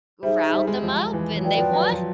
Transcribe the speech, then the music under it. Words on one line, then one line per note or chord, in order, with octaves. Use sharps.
riled them up, and they won.
G3 D#4 G#4 C5 E5
G3
G#3
F3
E3
F#3
F3 F#4 B4 D5 G5
F3
F#3
F3